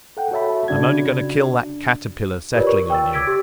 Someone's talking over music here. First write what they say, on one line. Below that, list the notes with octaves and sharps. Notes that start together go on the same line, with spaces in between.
I am only going to kill that caterpillar settling on you.
A4 F#5 G5
F#4 A4 C#5 E5 A5 B5
C#3 D4 F#4 G#6
F4 G4 A#4 B4 C#5 D5
C#6
G5 E6 A6
D6 E6 G#6 B6 D7
G4